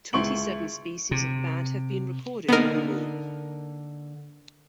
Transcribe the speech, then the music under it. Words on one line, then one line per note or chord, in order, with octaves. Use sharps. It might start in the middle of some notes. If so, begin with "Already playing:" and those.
Twenty seven species of bat have been recorded in Mulu.
C#2 E4 C6 C#6 D7 F#7
C3
D3 A#3 B3 D#4 A#4